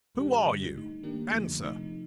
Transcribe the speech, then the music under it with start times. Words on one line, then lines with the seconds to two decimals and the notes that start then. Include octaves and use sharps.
Who are you? Answer!
0.15 G2 D#3 G3 D4 G4
0.44 G2 D3 G3
0.74 A2 A3 D#4
1.03 D#3 A#3 D4 G4 A#4
1.33 F2 D3 F3 A3 D#4
1.63 C3 F3 A3 D#4